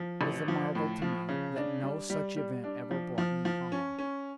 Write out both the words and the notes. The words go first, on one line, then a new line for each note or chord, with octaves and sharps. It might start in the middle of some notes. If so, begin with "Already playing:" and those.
It is a marvel to me that no such event ever brought me harm.
Already playing: F3
A1
F3
A2
F3
C#3
D4
G3
G3
G3
D4
F3
F3
F3
C#4
C#4